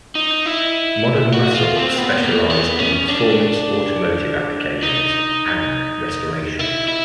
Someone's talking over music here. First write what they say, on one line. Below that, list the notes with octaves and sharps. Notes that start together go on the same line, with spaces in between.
Modern Muscle specialized in performance automotive applications, and restorations.
D#4
E4
F#4
F4
C4
B3
A#3
B3
C#4
D4
D#4
E4
E4